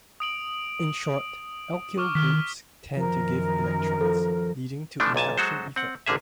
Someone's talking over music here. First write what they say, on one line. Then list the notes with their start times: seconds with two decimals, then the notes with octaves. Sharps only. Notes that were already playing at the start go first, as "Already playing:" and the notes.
In short, alkyl groups tend to give electrons, leading to induction effect.
0.20 D#6 D7 F#7
1.98 C#6 D6 F6
2.15 D#3 F6 B6
2.97 F#2 D#3 F3 A#4
4.01 F3 A4
5.00 E3 F3 A3 D4
5.15 B1 A#2 G#5 A5
5.38 F#3 G#3 F#4 A4 C5
5.76 C4 F#5
6.06 A1 D3 A#3 G#4 E5